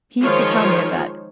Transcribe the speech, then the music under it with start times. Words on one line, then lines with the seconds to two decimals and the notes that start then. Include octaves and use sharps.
He used to tell me of that.
0.22 D#3 F3 G#3 F4 C5 C#5